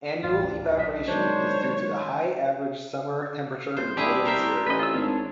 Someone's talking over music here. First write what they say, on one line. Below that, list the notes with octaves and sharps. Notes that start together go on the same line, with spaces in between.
Annual evaporation is due to the high average summer temperature in northern Syria.
G1 A2 E3 F4
D2 D4
B1 D#5 B6
D#3 F#3 G#3 D4 C5 C#5
C2 C5
D4 E4 G4 G#4
A#4 C5 E5
A1 B4 D#5
F4 E6
G#1 D4 C#5